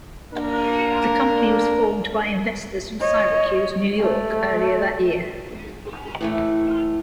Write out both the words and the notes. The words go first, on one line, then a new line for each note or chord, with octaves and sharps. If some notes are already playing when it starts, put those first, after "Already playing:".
The company was formed by investors from Syracuse, New York, earlier that year.
A#3 D4 A#4
C#5 D#5
A3
A2 E3 A3